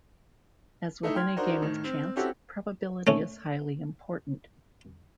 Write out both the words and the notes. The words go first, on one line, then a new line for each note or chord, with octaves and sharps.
As with any game of chance, probability is highly important.
A3 D#4 E4
G5 C6 F6 G#6
D4 D#4 F#4 A#4 C5
A2 D#3
C4
C4 C#4 E4 F#4 G4 A4
A3 C#4